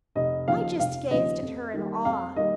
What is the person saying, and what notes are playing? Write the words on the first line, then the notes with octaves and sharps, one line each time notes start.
I just gazed at her in awe.
F1 D#5
D#2 C#3 F3 F5
F1 F5
D#2 C#3 F3 D#5
F2
D#3 G3 A#3
F2 F5
D#3 G3 A#3 D#5